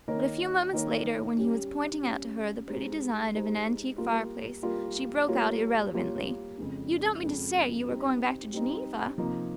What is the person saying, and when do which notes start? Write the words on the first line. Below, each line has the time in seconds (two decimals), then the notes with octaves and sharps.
But a few moments later, when he was pointing out to her the pretty design of an antique fireplace, she broke out irrelevantly, "You don't mean to say you are going back to Geneva?"
0.08 D#3 A#3 D#4 A#4 C#5
0.73 D#3 A#3 D#4 A#4 C#5
1.38 G3 C#4 G4
2.03 G3 C#4 G4
2.68 G#3 D#4 G4 C5
3.33 G#3 D#4 G4 C5
3.98 G3 A#3 F4 A#4
4.63 G3 A#3 F4 A#4
5.28 G3 A#3 F4 A#4 C#5
5.93 G3 A#3 F4 A#4 C#5
6.57 F2 C#3 G#3 C#4
7.23 F2 C#3 G#3 C#4
7.88 G3 C4 D#4
8.53 G3 C4 D#4
9.18 C3 F3 A#3 D#4